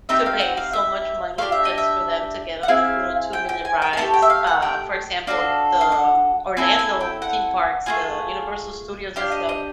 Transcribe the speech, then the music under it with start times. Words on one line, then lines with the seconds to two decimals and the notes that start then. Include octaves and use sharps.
to pay so much money just for them to get on these little two-minute rides. Uh, for example, the Orlando theme parks, the Universal Studios and stuff,
0.09 C4 D#4 G4 E5
0.26 F5
0.41 F#5
0.57 F5
0.73 E5
1.38 A3 D4 G4 F5
1.52 E5
1.65 D#5
1.78 E5
2.63 F#5
2.68 C4 E4 G#4 F5
3.33 G5
3.49 G5
3.65 G#5
3.82 G5
3.93 G#5
3.97 A3 D4 A5
4.01 G4
4.14 G5
4.22 E5
4.30 F5
4.47 F#5
4.62 G5
5.27 D4 F#4 A4 F5
5.81 F5
5.92 F#5
6.57 C4 E4 A4 G#5
6.79 G#5
7.01 G5
7.22 F#5
7.86 A3 C4 F4 G#4
9.16 D4 G4 F5
9.32 D#5
9.49 D#5